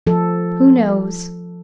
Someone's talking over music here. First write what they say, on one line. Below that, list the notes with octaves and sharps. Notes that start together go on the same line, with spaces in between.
"Who knows?"
F3 A4